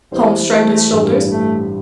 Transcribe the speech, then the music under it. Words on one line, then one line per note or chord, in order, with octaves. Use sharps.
Holmes shrugged his shoulders.
E2 E3 G3 E4 C5
A3
A1 G2 G3
A3